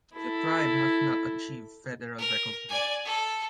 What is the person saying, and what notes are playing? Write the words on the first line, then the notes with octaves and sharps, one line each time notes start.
The tribe has not achieved federal recognition.
E4 A4
A#4
D5 G#5
A4